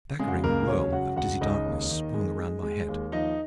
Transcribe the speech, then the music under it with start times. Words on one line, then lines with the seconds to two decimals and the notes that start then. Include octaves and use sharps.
A staggering whirl of dizzy darkness swung round my head.
0.19 C#3 G#3 G#4
0.28 F#4
0.36 G#4
0.44 C#2 A#3 A#4
0.68 F#3 C#4 C#5
0.92 C#2 F#4 F#5
1.16 C#2 F#4 F#5
1.41 C#2 D#4 D#5
1.66 D#2
1.91 D#3
2.14 G#3
2.39 G#3
2.63 G#3
2.88 D#2
3.12 F3 D#4 D#5